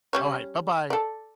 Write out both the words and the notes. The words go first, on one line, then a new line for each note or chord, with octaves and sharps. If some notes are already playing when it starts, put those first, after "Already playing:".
all right, buh-bye.
G3 C#4 C#5
A4 D5